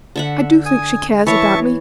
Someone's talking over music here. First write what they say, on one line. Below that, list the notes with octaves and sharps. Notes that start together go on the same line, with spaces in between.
I do think she cares about me.
D3 E5 F#5
G#5 D#6
E3 C#5 E5 A5 C#6